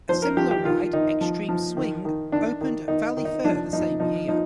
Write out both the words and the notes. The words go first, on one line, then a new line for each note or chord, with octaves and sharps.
A similar ride, Xtreme Swing, opened at Valleyfair the same year.
F3 C5
A#4
F3 G4
G4
D#3 F4
D#3 D#4
F3
F3
D#3
D#3
D#3 D4
D#3
D#3 D#4
D#3
D#4
F3 D4
F3 D#4
F3 D#4
F3 D#4